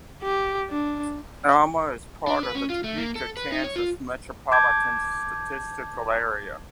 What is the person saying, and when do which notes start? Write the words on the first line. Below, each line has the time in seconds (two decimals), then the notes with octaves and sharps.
Alma is part of the Topeka, Kansas Metropolitan Statistical Area.
0.22 G4
0.70 D4
2.27 D4
2.43 B4
2.55 C#4
2.70 F4
2.84 A3
2.98 A#3
3.15 A4
3.37 B4
3.52 D#4
3.64 C#5
3.76 F4
4.51 A5 D6 G6 G#6